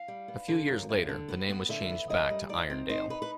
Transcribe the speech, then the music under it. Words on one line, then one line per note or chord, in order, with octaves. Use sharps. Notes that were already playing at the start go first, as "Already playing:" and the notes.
A few years later the name was changed back to Irondale.
Already playing: F5
G3
B3
D3
F#2
F#2
D3
B3
B3
D3 E5
B3
F#2 D#5
G3
D#4 D5
C4
D#4 C5
D#4 B4
B4